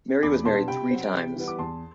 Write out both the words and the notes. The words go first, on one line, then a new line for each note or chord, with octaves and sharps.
Mary was married three times.
E2 B5 D6
B2 G3 B3 D4 A5 C6
C3 G5 B5
F#3 C4
C3
E3 G3 B3
D6
E2 A5 C6